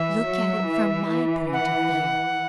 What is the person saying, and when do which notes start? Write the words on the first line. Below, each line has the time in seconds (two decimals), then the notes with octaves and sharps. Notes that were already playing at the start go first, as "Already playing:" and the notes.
Look at it from My point of view.
Already playing: E3 E5
0.24 F#3
0.67 E3
1.53 F#5